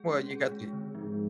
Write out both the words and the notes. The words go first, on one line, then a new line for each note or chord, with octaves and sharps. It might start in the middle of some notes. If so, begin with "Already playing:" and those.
Well, you got the
Already playing: G#3 G#4
C#4
G#4
G#3
D3
G#2 F3